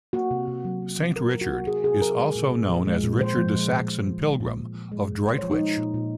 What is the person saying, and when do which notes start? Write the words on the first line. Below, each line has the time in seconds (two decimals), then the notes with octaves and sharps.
Saint Richard is also known as Richard the Saxon Pilgrim, of Droitwich.
0.13 A#3 F#4
0.31 C3
0.47 C3
0.65 F#3
0.82 A#3
0.99 C3
1.16 C3 A#4
1.33 F#3
1.41 F#4
1.50 A#3
1.67 C3 G#4
1.84 C3 G#4
2.01 F#3 A#4
2.18 G#3
2.35 A#2
2.53 A#2
2.69 F3
2.87 G#3
3.04 A#2
3.21 A#2 C5
3.38 F3
3.55 G#3
3.72 A#2
3.89 A#2
4.06 F3
4.24 G#3
4.41 A#2
4.57 A#2
4.74 F3
4.92 G#3
5.09 A#2
5.25 A#2 C5
5.39 C#5
5.43 F3
5.51 D#4
5.60 G#3
5.77 A#2
5.94 A#2